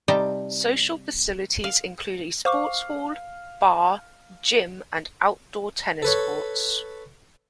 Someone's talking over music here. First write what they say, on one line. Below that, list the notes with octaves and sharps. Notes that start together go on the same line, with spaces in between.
Social facilities include a sports hall, bar, gym and outdoor tennis courts.
C3 G3 D#4 G5 A5 A#5
F5
C5 F5 C#6 D6
A4 B4 C#5